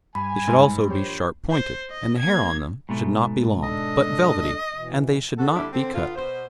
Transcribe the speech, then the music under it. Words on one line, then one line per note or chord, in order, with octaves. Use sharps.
They should also be sharp pointed, and the hair on them should not be long, but velvety, and they should not be cut.
G2 G#5 B5
G#2
A#1 G4 C5 C#5
C5
D#5
A#3 G#6
G#2 B2 A3
D4 A4 D#5
B2 E3
B3 F#4 A4
D3 G3 D4 E4
D3 C4
D3 B3 F4
B2 C5